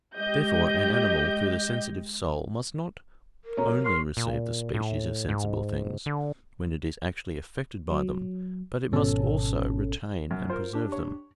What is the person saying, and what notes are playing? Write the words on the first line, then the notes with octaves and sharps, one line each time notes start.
Therefore an animal through the sensitive soul must not only receive the species of sensible things, when it is actually affected by them, but it must also retain and preserve them.
G#3 G4 D#5 G6
A#4
B2 A3 C#4 C#5 A#5
F#3
C6 C#6 F6
A#2
A2
G#2
D3
F#3
G#1 B2 C#4 A4
F#2
F4 A#4 C5
D4 G4
C#5